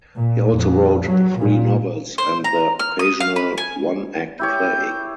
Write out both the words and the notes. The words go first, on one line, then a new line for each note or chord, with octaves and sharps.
He also wrote three novels and the occasional one act play.
A#2
F2
F#3
A#2
C5
A#5
F6
D#6
F5
B4
G#5
E4 G4 C#5 G6